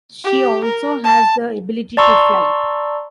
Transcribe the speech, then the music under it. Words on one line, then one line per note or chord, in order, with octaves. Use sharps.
She also has the ability to fly.
G4
A#4
A5
D5 A5 A#5 C6 C#6 E6